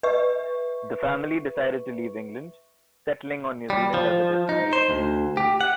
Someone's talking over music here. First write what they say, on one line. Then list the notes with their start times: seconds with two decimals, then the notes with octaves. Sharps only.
The family decided to leave England, settling on New Zealand as a destination.
0.03 B4 E5 C#6
3.70 G3
3.94 F3
4.49 D#4
4.73 C5
4.90 D2
5.37 G4
5.61 F#5